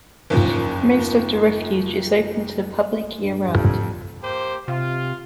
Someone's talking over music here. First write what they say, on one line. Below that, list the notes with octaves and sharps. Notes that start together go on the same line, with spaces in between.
Most of the refuge is open to the public year round.
F#1 D#2 F3
G2
F2
A#3 G4 C5
C3 F4